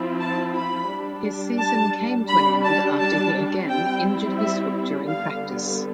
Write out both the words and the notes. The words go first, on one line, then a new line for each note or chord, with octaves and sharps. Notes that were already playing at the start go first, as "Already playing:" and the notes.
His season came to an end after he again injured his foot during practice.
Already playing: F3 C4 E4
A5
B5
G3 D4
A5
G3 D4 B5
A5
A5
G3 C4 E4 G5
E5
D3 G3 B3 F5